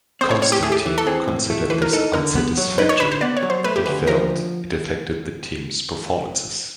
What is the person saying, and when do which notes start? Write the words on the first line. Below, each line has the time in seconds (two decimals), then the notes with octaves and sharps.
Constantine considered this unsatisfactory, and felt it affected the team's performances.
0.21 C4 C5
0.31 C#5
0.41 A2 C#5
0.52 G4
0.63 A3 G#4
0.72 G4
0.86 E3
0.98 A4
1.07 C4 G#4
1.28 A2
1.50 A3
1.70 E3 B4
1.82 A#4
1.93 D#4 A4
2.13 D3 A#4
2.35 B3
2.57 F#3
2.78 D#4 B4
2.89 C#5
3.00 D3 B4
3.12 C5
3.21 B3 D5
3.37 C#5
3.43 F#3
3.50 C5
3.64 A3 B4
3.76 G4
3.86 D2 B4
4.07 F3 A#4